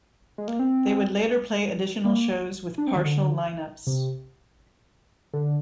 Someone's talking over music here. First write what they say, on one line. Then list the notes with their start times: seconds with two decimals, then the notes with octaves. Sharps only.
They would later play additional shows with partial lineups.
0.38 G#3
0.48 A#3
0.59 C4
2.05 A#3
2.78 D4
2.87 C4
2.96 D#3
3.05 D3
3.87 C3
5.33 D3